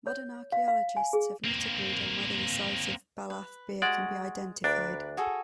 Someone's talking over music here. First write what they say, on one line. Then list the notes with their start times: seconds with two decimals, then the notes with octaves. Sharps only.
Modern archaeologists have not agreed on whether the site of Baalath-Beer can be identified.
0.07 C#5
0.52 F5
0.68 F5
0.97 G#5
1.13 G#4
1.44 A#3 C4
3.30 B4
3.82 G#3 F#4 D5
4.64 D2 D4 A#4 B4 B5
5.17 F#4 G#4 A4